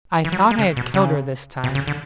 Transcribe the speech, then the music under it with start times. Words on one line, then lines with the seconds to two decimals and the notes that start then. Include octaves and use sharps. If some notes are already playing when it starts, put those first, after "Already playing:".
I thought I had killed her, this time.
0.24 E3
0.32 F#3
0.51 G#3
0.59 C#3
0.77 B2
0.94 C#3
1.64 B2
1.75 C#3
1.87 D3